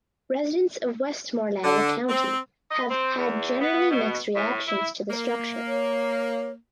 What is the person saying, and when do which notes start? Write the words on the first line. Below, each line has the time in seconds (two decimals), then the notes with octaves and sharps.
Residents of Westmoreland County have had generally mixed reactions to the structure.
1.64 D3
2.09 C4
2.70 D#5
2.90 C4
3.18 E2
3.60 B3
3.90 B2
4.36 A2
4.67 E4
5.10 A#3
5.67 C#5